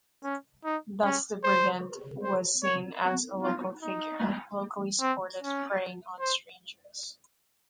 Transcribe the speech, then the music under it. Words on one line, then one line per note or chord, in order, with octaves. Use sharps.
Thus the brigand was seen as a local figure, locally supported, preying on strangers.
C#4
D#4
C#4
C5
C5
C#5
F#4
F4
D#4
C4
C#4
C5